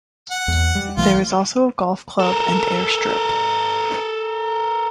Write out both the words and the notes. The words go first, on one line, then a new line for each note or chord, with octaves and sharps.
There is also a golf club and air strip.
F#5
E2
G3
B1 E3 A3 F4
A4 A#4